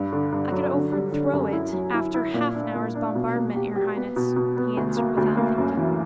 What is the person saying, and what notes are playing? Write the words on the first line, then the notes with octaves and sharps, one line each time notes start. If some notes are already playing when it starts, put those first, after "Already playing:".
"I could overthrow it after half an hour's bombardment, your highness," he answered, without thinking.
Already playing: G2
D3
G2
F#3
D3
G3
D3
F#2
E4
F#3
E4
E4
A#2
D4
A#2
D4
B2
A#3
G4
G4
B3
B2
B2
B3
D2
A#3
D2
A#3
F#2
E3